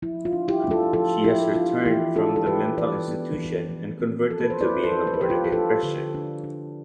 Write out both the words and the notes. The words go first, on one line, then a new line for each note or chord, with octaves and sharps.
She has returned from the mental institution and converted to being a born-again-Christian.
F3 E4
F4
D4
E4 G4
D4
F4 A4
F3 F4 A4
F3 E4 G4
D4 F4
E3 E4 G4
D4 F4 A4
A4
E3 G4 B4
E3 B4 D5
B3
E3
F3
C4
F3 A4
B4
C5
E4 B4 D5
A4 C5
F3
B4
C5
F3 G4 B4
F4 A4
G4
D4 F4 A4
D3
D4
D4